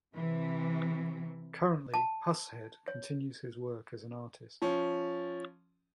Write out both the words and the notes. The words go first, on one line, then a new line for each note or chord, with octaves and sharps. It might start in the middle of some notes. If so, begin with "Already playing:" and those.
Currently, Pushead continues his work as an artist.
C3 E3
A5
C#5
F3 C#4